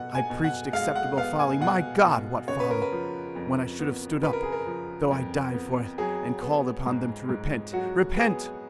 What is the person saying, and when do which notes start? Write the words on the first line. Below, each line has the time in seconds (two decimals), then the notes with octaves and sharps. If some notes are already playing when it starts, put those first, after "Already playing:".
I preached acceptable folly--my God, what folly!--when I should have stood up, though I died for it, and called upon them to repent--repent! . . .
Already playing: B2 B3 F#5
0.15 G#5
0.30 B2
0.44 F#5
0.73 G#3 F5
0.96 F#5
1.17 B3 F5
1.39 G#5
1.61 B2 F#5
2.05 B2
2.48 C#3 C#5
2.60 B4
2.71 A#4
2.82 B4
2.92 F3
3.36 F2
3.80 B3
4.23 C#3 B4
4.33 A#4
4.43 G#4
4.52 A#4
4.67 F3
5.11 F2
5.54 B3
5.98 F#3 G#4
6.42 B3
6.86 G#2
7.29 G#2
7.73 F#3 F#4
8.17 B3 G#4